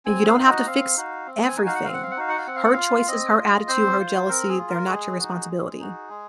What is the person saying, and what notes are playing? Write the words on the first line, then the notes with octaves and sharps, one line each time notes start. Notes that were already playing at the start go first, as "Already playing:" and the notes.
and you don't have to fix everything. Her choices, her attitude, her jealousy, they're not your responsibility.
C4 G#5
F5
D#4 F#4
D#5
C4 F5
D#4 F#4
C4
G#5
D#4 F#4
F5
F#5
C4 F5
F#5
F5
F#5
D#4 F#4 F5
F#5
F5
C4 F#5
F5
F#5
F4 F5
C4 D#5
F4
C4 C5
F4
C4 A#4
G#4
F4
A#4
G#3 G#4
D#4 F#4
G#3
D#4 F#4
G#3